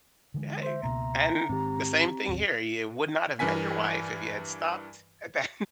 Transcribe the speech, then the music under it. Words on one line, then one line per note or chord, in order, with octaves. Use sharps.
Hey, y and the same thing here. You would not have met your wife if you had stopped at that.
D3 E3 G#3
C5 E5 C6
C#2 B2 A#3 A#5
G#2 D#3 C4 G4
A1 D#2
G2 E3 A#4 G#5 B6